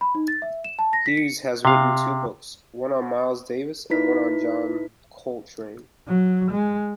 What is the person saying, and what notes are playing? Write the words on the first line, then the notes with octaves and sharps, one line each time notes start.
He has written two books, one on Miles Davis and one on John Coltrane.
B5
D#4
A6
E5
E7
A5
A#6
B6
C#7
C3 F5
D#4 E4 B4 B6
F#3
G#3